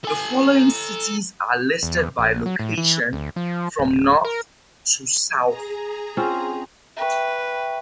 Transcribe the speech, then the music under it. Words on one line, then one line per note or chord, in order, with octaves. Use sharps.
The following cities are listed by location from north to south.
A4 G#5
E2
A#1
F#3
A2
E3
D2
F3
D1
A#4
G#4 A#5
C4 C#4 F4
B4 E5 G5 C#6